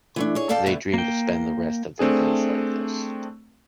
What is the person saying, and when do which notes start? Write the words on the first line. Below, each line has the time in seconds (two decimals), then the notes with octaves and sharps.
They dream to spend the rest of their days like this.
0.16 E3 A3 D4
0.35 G#4 C#5
0.49 G#2 A4 D5 F5 G5 A5
0.66 D3 A3 B3
0.94 A#3 G5
1.99 A3 C4 D4 G#4